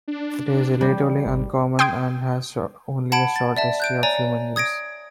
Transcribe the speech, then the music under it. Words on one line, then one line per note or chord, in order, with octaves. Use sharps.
It is relatively uncommon and has only a short history of human use.
D4
G3
G#1
G5 C6 D#6 G#6 D7
F#5 A5 B5 G#6 D7
A6
D5 E5 A5
F#6 G6 D7
C#5 D5 G#5 A#5
D#6 G#6 A#6 D7